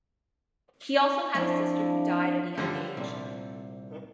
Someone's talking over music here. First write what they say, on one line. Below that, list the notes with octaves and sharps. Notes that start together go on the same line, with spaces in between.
He also had a sister who died at a young age.
F2 F3 D4 E4 F5
D3 F3 G3 C#5
C2 A#2 C4